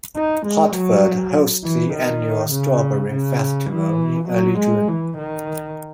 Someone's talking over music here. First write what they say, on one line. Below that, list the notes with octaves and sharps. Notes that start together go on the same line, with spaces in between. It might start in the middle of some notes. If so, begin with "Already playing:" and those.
Hartford hosts the annual Strawberry Festival in early June.
D#4
G#3
F#3
E3
D#3
C#3
C#3
E3
F#3
G#3
E3
D#3